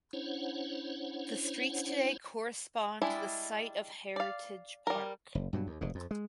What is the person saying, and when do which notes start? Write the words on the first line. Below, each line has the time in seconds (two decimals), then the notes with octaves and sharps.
The streets today correspond to the site of "Heritage Park".
0.13 C#4 D4 E4 C5 C#5 F#5
3.02 G3 G#3 D4 E4
4.16 D5 F5
4.87 G3 A#4
5.35 F#1
5.53 G2 B2 F#3
5.67 D#2
5.81 F1 G#2
5.95 F2
6.11 G#3